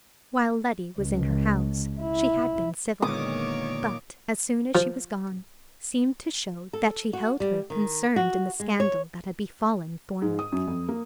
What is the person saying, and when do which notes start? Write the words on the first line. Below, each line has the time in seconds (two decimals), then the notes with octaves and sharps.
While Letty was in her house, she had been civil, but, as soon as she was gone, seemed to show that she held her concerned in the scandal that had befallen Thornwick.
0.99 C#2
2.00 E4
3.02 A#2 D3 D#3 G#3 B3 C#5 D6 D#6
4.75 F3
6.73 A4
7.13 F#4
7.40 G3
7.70 D#3
8.16 F#4
8.60 G#3
8.80 C#5
10.22 G#2
10.39 D#6
10.52 F#2
10.68 F2
10.89 A#3